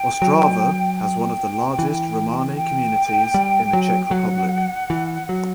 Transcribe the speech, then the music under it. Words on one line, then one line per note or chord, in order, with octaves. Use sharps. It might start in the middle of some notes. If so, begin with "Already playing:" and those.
Ostrava has one of the largest Romani communities in the Czech Republic.
Already playing: G5
F#3
G5
E3
G5
G3
F#3
F#3 F#5
E3
F#3